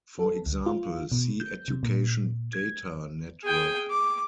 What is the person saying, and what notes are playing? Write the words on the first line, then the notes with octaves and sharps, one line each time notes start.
For example, see Education Data Network.
A4
D2
F4
B2
G6
C3
A#2
G#6
G#4 G5
D6